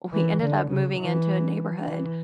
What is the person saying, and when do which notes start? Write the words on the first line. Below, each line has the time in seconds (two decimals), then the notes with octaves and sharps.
uh, we ended up moving into a neighborhood,
0.13 E3
0.42 D3
0.71 C#3
1.00 E3
1.87 E3